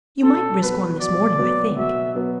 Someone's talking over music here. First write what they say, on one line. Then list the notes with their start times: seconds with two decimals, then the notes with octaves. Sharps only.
You might risk one this morning, I think.
0.23 B2 A4
0.61 F#3 B3 B4
1.00 B2 D5
1.38 F#3 B3
1.76 B2 E5
2.15 F#3 B3